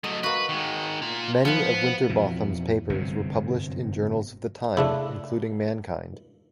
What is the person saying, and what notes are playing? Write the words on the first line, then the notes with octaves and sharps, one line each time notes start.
Many of Winterbotham’s papers were published in journals of the time including "Mankind".
F#3 A3 D#5
A#3 F#4 B4
D#3 G#3
F4 A#5
F3 B3 F#5
F2 B2 E3
G1 F#2 C3
C#3 A3 D4 E4